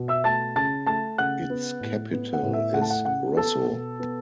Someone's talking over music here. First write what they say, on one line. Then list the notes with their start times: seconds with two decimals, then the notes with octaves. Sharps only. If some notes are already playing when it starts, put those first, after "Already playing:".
Its capital is Rosso.
Already playing: B2
0.08 E5 E6
0.24 A3 A5 A6
0.56 C#3 A5 A6
0.86 A3 A5 A6
1.18 C#3 F#5 F#6
1.50 B3
1.81 A2
2.12 B3
2.33 F#5
2.43 A2
2.53 E5
2.74 A3 F#5
2.81 A5
2.90 F#5
3.05 C#3 F#5
3.36 B3 A4 A5
3.69 B2
4.00 B3